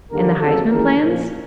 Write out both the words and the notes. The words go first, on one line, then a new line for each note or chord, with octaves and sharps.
And the Huysman plans?
D#2 D3 G3 A#3 A#4
F2 C#3 F#3 A#3 A4
D#2 C#3 E3 G#3 A#4
A#1 A#2 F3 A#3